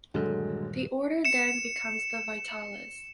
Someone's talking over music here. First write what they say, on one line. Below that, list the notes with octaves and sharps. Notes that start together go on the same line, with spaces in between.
The order then becomes the Vitales.
D#1 G2 D3 F#3 G#3
C#7 E7